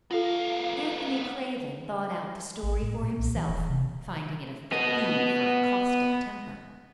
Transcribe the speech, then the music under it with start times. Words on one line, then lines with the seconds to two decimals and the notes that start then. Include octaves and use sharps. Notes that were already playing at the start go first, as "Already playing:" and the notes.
Anthony Craven thought out the story for himself, finding it a fit food for a caustic temper.
0.11 B3 F4 A4 F5
2.63 A1
2.82 A2
3.03 A#2
3.19 B1
3.36 E3
3.49 E1
3.70 C3
4.72 B3 D#5